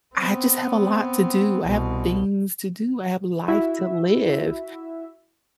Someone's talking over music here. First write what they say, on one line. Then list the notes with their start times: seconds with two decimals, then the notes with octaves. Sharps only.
I just have a lot to do. I have things to do. I have a life to live,
0.15 B3 C4
1.65 C2 B2
3.48 E4 F#4 E5